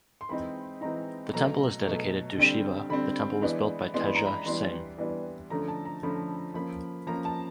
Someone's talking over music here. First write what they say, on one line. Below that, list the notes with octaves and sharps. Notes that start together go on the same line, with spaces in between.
The temple is dedicated to Shiva The temple was built by Teja Singh.
C6
E3 G#3 C4 D#4 B5
E3 G#3 C4 D#4 A#5
B2 F#3 A3 A#5
B2 F#3 A3
D3 G3 C4
D3 G3 C4 B5
E3 G#3 B3 D4
E3 G#3 B3 D4 C6
B5
A#5
B5
E3 G3 B3 D4 C6
E3 G3 B3 D4
D3 F3 A3 C#4 A#5
A5
A#5
D3 F3 A3 C#4 B5
F3 A#3 C#4 B5
F3 A#3 C#4 A#5
A5